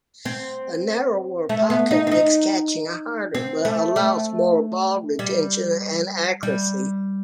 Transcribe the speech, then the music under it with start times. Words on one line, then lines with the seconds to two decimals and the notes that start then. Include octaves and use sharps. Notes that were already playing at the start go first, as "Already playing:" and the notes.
A narrower pocket makes catching harder, but allows more ball retention and accuracy.
0.25 C4
1.49 A3
1.70 B3
1.91 D#4
2.07 C4
2.12 D#4
3.34 C4
3.65 A3
3.96 A3
5.19 G3
6.43 G3